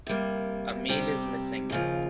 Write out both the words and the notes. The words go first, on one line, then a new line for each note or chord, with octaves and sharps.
A meal is missing.
C3 G3 A#3
C3 G3 C4 G4
D#2 C#3 F3